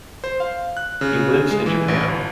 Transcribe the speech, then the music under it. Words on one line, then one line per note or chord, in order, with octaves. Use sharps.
He lives in Japan.
C5
F5
F#6
C#3
G#3
E3
A1
G1